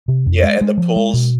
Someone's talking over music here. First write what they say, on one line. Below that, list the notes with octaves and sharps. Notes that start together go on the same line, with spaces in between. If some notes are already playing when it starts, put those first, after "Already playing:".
yeah, and the pools
C3
F2
G#3
G#3
F3
G#3
B2